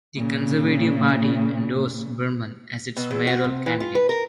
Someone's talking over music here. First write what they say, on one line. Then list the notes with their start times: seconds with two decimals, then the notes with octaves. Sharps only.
The Conservative Party endorsed Burman as its mayoral candidate.
0.16 A#2 C#3
2.97 B2
3.11 E2
3.27 F#4
3.44 C3
3.66 E3
3.80 F4
3.95 B4
4.09 A#4